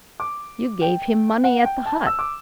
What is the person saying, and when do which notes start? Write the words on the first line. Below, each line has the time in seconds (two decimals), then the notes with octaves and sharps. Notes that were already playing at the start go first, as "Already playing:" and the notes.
You gave him money at the hut.
0.20 D6
0.81 G5
1.44 F#5
1.65 G5
1.86 A5
2.07 E6
2.19 D6